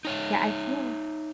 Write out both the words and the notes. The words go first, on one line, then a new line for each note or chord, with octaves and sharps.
Yeah, I feel like
D#4 C#5 E5